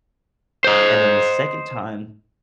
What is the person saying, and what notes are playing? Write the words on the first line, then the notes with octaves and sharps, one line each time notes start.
and then the second time
C5 D#5